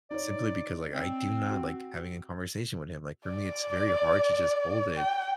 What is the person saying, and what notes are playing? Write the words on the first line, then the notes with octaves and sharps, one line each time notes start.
Simply because, like, I do not like having a conversation with him. Like, for me, it's very hard to just hold it,
D#4 C#5 D5
C4
F#4
D5
G5